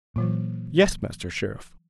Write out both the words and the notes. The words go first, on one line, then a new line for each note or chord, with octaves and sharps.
"Yes, Master Sheriff."
A#2 E3 F#3 F4